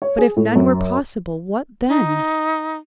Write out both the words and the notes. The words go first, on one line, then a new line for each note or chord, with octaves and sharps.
"But if none were possible--what then?"
C#5
G#4
A2
F#2
D#4